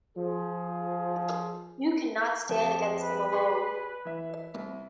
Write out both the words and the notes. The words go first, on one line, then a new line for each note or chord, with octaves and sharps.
You can not stand against them alone.
F3 G#4
F2 G4 A5
B4
G#4 C6 C#6
E3 E5
C2